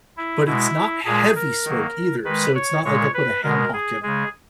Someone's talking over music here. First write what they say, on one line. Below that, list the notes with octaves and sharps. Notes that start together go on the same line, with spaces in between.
but it's not heavy smoke either, so it's not like I put a ham hock in it.
E4
B2 G#3 E4
A#2 G#3 G#4
A#4
D#3 F#3 A#3
D#3 G#3 B4
C#5
A#2 G#3 C#5
B4
B2 G#3 A#4
G#4
C#3 G#3 G#4